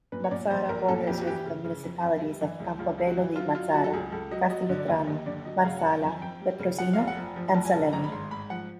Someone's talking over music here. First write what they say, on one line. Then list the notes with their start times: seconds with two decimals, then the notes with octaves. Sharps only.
Mazara borders with the municipalities of Campobello di Mazara, Castelvetrano, Marsala, Petrosino and Salemi.
0.12 A#2 B4
0.24 C#5
0.31 A#2 D5
0.50 A#1 C5
0.69 A#1 A#4
0.88 A#2 A4
1.07 F2 G4
1.21 F#4
1.26 E3 G4
1.46 C#3
1.64 C#3
1.84 F2
2.03 F2
2.22 G3
2.41 E3
2.60 C#2
2.79 C#2 F4
2.98 C#2
3.07 F#4
3.17 E3
3.36 F#3 F4
3.55 F#3 F4
3.74 F#3 F#4
3.84 A4
3.93 C#2 G#4
4.12 C#2 A4
4.31 F#3 D#5
4.50 F#3 D#5
4.69 D3
4.79 D5
4.88 D#2
5.07 D#2 D#5
5.26 D3 D5
5.45 F#3 D#5
5.65 C#3 F5
5.79 C#3 F#5
5.93 G5
6.03 F2 G#5
6.22 F2 G5
6.41 G3
6.59 C#3
6.78 F3 F#5
6.93 F1 F5
7.08 F#5
7.17 F3
7.36 F3
7.55 F1 A5
7.65 G#5
7.74 C#3 A5
7.93 G#1 A#5
8.04 B5
8.12 G#2 C6
8.31 G#2 B5
8.50 F3 F#5